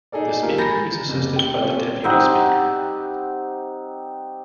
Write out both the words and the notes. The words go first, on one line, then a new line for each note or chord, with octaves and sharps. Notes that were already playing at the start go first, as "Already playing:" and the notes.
The Speaker is assisted by the Deputy Speaker.
D#4 G#4 A4 D5
A3 A#3 F4 G4 A4 A#4
G#5 A#5 B5 G6 A6 A#6
F#1 C3
G5 G7
G3 C4 C#4 F4 G4 A4
G3 C4 D#4 F#5